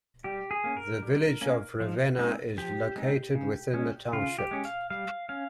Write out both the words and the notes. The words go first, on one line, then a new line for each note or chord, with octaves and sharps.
The Village of Ravenna is located within the township.
G3 G4
G#4
A#3 C#4
A#4
G3
A#3 C#4
F3
G#3 C4 D#4
F3 G4
G#3 C4 D#4
C#3
G#3 C#4
C#3 F4
G4
G#3 C#4
F5
G3 F5
C#4 F5